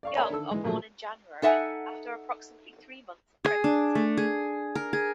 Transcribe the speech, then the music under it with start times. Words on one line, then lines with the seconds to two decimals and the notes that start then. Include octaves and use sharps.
Young are born in January after approximately three months of pregnancy.
0.03 D5 F5 C#6
0.16 A#4 C#5 D5 E5 G#5 B5
0.30 D3 D#3 A4 E6
0.51 E3 G#3
0.64 A#2 F3 F#3 A3 G#4
1.42 D#4 A4 E5 F#5 G#5
3.45 G#4
3.64 D4
3.95 A3
4.17 G#4
4.75 A#4
4.93 G#4